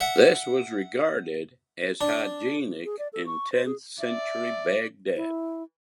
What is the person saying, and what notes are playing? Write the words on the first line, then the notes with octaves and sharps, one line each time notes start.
This was regarded as hygienic in tenth century Baghdad.
E5 F#5
D4
G#4
D5
A4
C#6
C5
G#4
D5 E5
E4